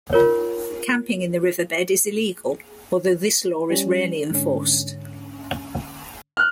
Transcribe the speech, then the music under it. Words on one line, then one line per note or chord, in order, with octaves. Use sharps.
Camping in the riverbed is illegal, although this law is rarely enforced.
F4 A#4 C#5
G3 C#4
G#2 D3 C#4
F6 F#6